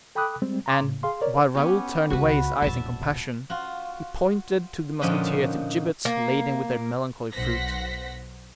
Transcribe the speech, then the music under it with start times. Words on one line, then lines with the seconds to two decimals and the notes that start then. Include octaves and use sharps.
And, while Raoul turned away his eyes in compassion, he pointed to the musketeers the gibbets laden with their melancholy fruit.
0.15 A4 G5 B5 D6 D#6 F#6
0.42 G3 G#3 C4
0.66 A#5 C6 D6
0.82 A2 C#3
1.03 G#4 F5 C6
1.22 A#4 C#5 D5
1.55 B3 C#4 G4
2.10 C#2 G#3 F#4 B4
2.62 E1 A#1 E5 A5
3.50 F4 F#4
5.01 A#2 D3 F3 C#4 D#4 F#4
6.05 A#3
7.33 B1 C5 F#5 A#6 B6